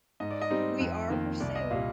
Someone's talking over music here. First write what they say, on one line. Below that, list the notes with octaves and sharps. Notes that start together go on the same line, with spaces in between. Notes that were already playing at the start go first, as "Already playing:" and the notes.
We are pursued.
G#2 D#5
D5
D#5
G3 C4 D#4
F2
D#3 A#3
C2 D5
D#5
A#2 G3 F5